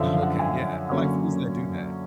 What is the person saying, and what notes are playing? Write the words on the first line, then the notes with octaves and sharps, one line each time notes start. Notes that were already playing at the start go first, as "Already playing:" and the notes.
Okay. Yeah. I like foods that do that.
Already playing: F#2 D3 F3 E5
F5
F#5
G#5
D3 F#3 A#3 C#4